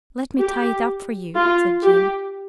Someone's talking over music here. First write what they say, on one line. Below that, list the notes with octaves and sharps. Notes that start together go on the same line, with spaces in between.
"Let me tie it up for you," said Jean.
G4
F4
G4